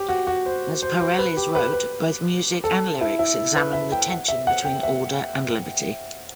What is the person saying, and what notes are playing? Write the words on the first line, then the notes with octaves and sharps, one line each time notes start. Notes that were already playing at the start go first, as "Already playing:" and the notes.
As Pareles wrote, "Both music and lyrics examine the tension between order and liberty".
Already playing: G4
F#4
F#4
C5
C5
C5
B4
G4
B4
B4
A4
E4
E4
B4
E5
G5
F#5
E5
F#5
G5
E5